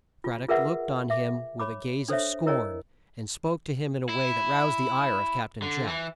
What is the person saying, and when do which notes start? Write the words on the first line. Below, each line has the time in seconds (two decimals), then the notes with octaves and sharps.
Brad-dock looked on him with a gaze of scorn, and spoke to him in a way that roused the ire of Cap-tain Jack.
0.24 F4
0.48 F4 G#4 A#4 B4 E5 F#5
1.10 E5 D6
1.60 C#5 B5 D6
2.08 D4 A4 C5 C#5 E5
2.46 E4 A#4 C#5 D#5 G#5
4.09 E4
5.62 D3
5.88 E3